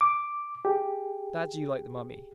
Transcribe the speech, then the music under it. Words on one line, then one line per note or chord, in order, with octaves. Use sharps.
Glad you like the mummy.
D6
G4 G#4